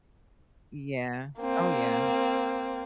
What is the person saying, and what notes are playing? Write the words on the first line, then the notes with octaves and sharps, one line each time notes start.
Yeah. Oh, yeah.
A#3 C4